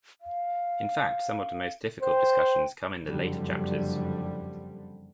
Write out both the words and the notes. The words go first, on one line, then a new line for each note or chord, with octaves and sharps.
In fact some of the most difficult discussions come in the later chapters.
F5
C5 G5
F#1 F2 D3 G3